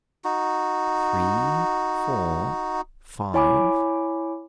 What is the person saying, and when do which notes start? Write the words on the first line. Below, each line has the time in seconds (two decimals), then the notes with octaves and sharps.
"Three, four, five."
0.25 D#4 F#4
3.34 E4 C#5 G#5 B5 D6